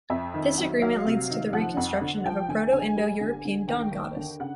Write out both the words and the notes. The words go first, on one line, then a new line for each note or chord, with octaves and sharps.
This agreement leads to the reconstruction of a Proto-Indo-European dawn goddess.
F2 E5
D#3
F#3
F#3 F5
C3
D#3
F3 F#5
F2
D3
F3 G5
D3 G#5
D3 G#5
G3
D3
D3
D#2 G5
D#2
D3
C#3 F#5